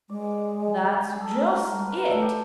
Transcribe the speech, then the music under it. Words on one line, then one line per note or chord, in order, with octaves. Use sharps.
'That's just it.
G#3 D5
G#4
A4
A3 A#4
G#3
G3
A#4 B4
A3 A4
G4